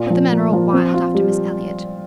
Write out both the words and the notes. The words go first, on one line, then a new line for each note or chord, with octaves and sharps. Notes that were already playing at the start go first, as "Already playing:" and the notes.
But the men are all wild after Miss Elliot.
Already playing: A#2 F4
F3
A#3
F3
C4
F4
G3